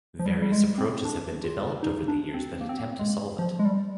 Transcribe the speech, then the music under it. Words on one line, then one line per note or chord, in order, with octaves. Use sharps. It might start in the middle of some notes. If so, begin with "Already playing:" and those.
Various approaches have been developed over the years that attempt to solve it.
F3
G3
G3
G#3
C4
D4
F4
D#4
D4
C4
A#3
C4
A#3
G#3
F3
G#3
G3